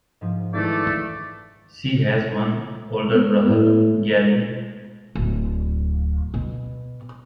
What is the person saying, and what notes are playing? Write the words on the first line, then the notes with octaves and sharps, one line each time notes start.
She has one older brother, Gary.
G#2 F3
G#2 D#3 E3 A3 D5 A6
B3
A2
D1
B2